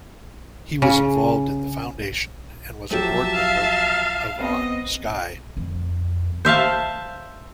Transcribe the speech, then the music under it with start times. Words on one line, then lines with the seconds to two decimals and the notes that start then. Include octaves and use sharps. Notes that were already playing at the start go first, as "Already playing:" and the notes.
He was involved in the foundation and was a board member of on Skye.
0.82 C#3
2.91 F3 F#3 G4 E5 A5
3.34 F5
4.40 B3 C4 D#5
5.57 F2
6.45 C5 E5 F5 A5